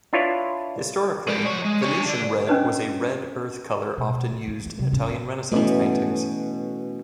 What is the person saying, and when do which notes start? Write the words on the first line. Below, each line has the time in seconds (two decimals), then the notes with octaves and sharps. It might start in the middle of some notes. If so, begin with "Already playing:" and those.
Historically, Venetian red was a red earth color often used in Italian Renaissance paintings.
0.13 D4 E4 F4 B4 C#5 D5
1.28 G#3 D5
1.46 F3 C#5
1.65 G#3
1.82 D4 C#5
2.05 D3 D5
2.47 C#4 D4 B4 C#5 D#5
3.97 B2
4.31 D1
4.47 E3 A#3
4.66 A3
4.79 C3
4.93 A2 C#4
5.52 B2 E3 A3 B3 C#4